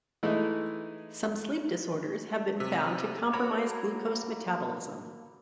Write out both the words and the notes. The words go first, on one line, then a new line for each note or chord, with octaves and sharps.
Some sleep disorders have been found to compromise glucose metabolism.
E3 G#3 A3 D#4 E4
C3 E5
A#3 F#4 C#5 A#5 B5 D6